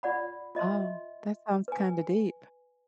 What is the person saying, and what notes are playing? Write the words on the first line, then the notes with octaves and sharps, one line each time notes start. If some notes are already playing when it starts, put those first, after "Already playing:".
Oh, that sounds kinda deep.
F4 D5 F#5 B5
F4 D#5 E5 C6
B4 G#5